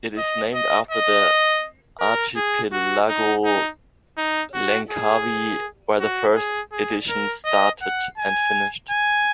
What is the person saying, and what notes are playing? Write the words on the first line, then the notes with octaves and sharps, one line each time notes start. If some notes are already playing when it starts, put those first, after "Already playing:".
It is named after the archipelago Langkawi, where the first edition started and finished.
D#5
D#5
D#5
A#4
G#4
F#4
D#4
D#4
D#4
F#4
G#4
F#4
G#4
G#4
A#4
D#5
F#5
G#5
G#5